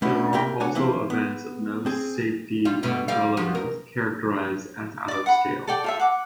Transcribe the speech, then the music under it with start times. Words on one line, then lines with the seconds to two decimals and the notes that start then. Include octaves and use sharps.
There are also events of no safety relevance, characterized as "out of scale".
0.02 A3 B3 C#4 D4 E4
0.33 C3 A#3 A#4 E5 G5
0.60 A3 D4 F#4 A4 C#5 G#5
0.75 E3 F3 A#3 C4 E4
1.10 B3
1.86 C4 G#4
2.65 G3 F4
2.83 G2 B2 A3
3.08 D3 G3 F5
3.37 F3 F#3
3.55 E2 A#4
5.08 D5 D6
5.26 F#5 B5
5.67 A4 D5 G5
5.84 F4 A4 E5
5.99 F#5 D6